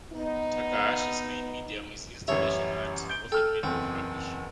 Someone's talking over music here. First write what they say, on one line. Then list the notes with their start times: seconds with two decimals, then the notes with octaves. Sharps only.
Takahashi's main medium is installation art, often made of rubbish.
0.13 B3 D#4
2.28 A1 F#2 G3 C#5 E5
3.09 G6 D7 G7
3.32 A4 G5 F6
3.63 F#1 E2 C4